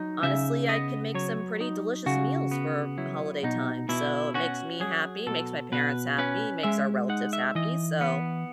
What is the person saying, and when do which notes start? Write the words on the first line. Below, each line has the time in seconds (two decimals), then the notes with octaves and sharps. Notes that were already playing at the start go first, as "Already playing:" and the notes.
honestly, I can make some pretty delicious meals for holiday time. So it makes me happy, makes my parents happy, makes our relatives happy. So,
Already playing: F#3 D#4
0.23 C#3 E5
0.68 B3 D#5
1.15 F#3 C#5
1.61 D#4
2.06 C#3 F#4
2.51 B3
2.98 F#3 E4
3.43 B2 D#4
3.89 B2 E4
4.34 C#4 F#4
4.80 F#3 G#4
5.27 B2 A4
5.72 B2 B4
6.18 C#4 B4
6.63 G#3 E5
7.09 D#4 F#5
7.33 E5
7.55 E3 D#5
8.01 B3